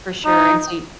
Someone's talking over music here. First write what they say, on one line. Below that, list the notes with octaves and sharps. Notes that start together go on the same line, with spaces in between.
For sure. And so y
D#4